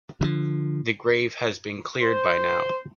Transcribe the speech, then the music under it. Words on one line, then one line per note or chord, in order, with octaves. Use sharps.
The grave has been cleared by now.
D3 F3
C5